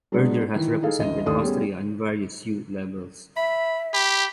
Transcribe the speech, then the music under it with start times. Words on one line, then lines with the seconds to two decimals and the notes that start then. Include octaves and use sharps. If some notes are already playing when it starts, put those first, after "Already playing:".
Berger has represented Austria in various youth levels.
0.12 F#3 G#3 B3 D4
0.55 D#3 E3
0.83 D#4 G#4 A4 F5
0.99 A1 D2 D#5
1.26 D#2 A3 D5 C6 D#6
1.42 G3 B3 C#4 G#4
3.36 E5 B5
3.94 G4 B5